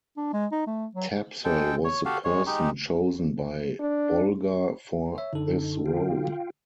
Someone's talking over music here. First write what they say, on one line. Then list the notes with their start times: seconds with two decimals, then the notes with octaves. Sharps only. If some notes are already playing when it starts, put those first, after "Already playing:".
Tapsell was the person chosen by Bolger for this role.
0.17 D4
0.33 G#3
0.52 D#4
0.67 A3
0.95 F#3
1.45 G#3 A4 G5
1.85 C#5
2.05 F#4 G4 A4 F5
2.24 G#3 C#5
2.47 G#3 D#4 G4
3.80 D4
5.18 C#5 E5
5.33 F#2 D3 D#4 A4
5.86 F4 F5 G5